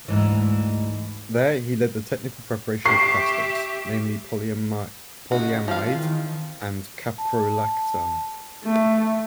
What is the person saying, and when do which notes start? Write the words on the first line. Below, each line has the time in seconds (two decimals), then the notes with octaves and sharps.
There he led the technical preparation of plastics, namely polyamide and caprolactam.
0.08 D2 G#2 E3
2.85 G4 E5 C#6 C7
5.32 C#3 D#4 F#4 D#5
5.68 E3 F3 G#3 C4 F5
5.94 D#3
7.18 A5
8.64 A3